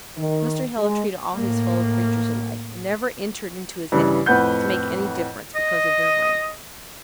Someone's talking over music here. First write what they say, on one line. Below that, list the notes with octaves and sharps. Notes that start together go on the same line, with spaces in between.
Mr. Hale treated all his fellow-creatures alike: it never entered into his head to make any difference because of their rank.
D#3
G#3
A2 A#3
G2 C#3 E3
F2 A2 B4 F#5 G6
D#5